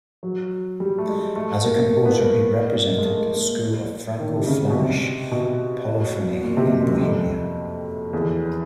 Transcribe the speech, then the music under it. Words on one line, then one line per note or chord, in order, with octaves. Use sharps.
As a composer he represented the school of Franco-Flemish polyphony in Bohemia.
F#3
G3
A3
G#3
A3
A#3
A#3
B3
A#3
G#3
A3
A#3
D#3
C3
C#3
B2
C3
B2
A#2
C3
B2
F#2
F#2
F2
E2